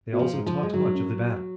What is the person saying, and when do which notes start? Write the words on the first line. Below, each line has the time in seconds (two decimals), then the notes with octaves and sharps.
They also talked much of the battle.
0.13 B2
0.19 F3
0.33 G#2
0.46 F3
0.63 G#3
0.74 G#2 F#3
0.94 F#2